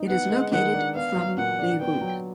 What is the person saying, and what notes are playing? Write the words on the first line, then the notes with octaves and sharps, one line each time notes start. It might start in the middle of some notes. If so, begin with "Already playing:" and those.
It is located from Beirut.
Already playing: D#4
B3 F#5
G#3
D#3 F#5
D4
B3 F5
F#3
A#2 F#5
D4
B3 G5
F#3